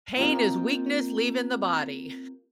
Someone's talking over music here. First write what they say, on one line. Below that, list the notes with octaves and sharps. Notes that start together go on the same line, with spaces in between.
Pain is weakness leaving the body.
A#3 C4 F4 G4 A#4 D#5